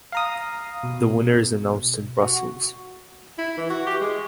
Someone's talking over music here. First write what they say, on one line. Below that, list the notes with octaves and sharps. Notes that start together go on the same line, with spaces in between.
The winner is announced in Brussels.
F5 A#5 D#6
B2
F#4
E4
E3
F#4
G4
G#3